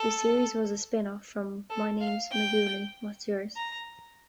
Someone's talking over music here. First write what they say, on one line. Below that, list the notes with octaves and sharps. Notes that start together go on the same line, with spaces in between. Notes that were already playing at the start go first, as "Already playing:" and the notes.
The series was a spin-off from My Name's McGooley, What's Yours?
Already playing: A4
A4
F5
G5
A#5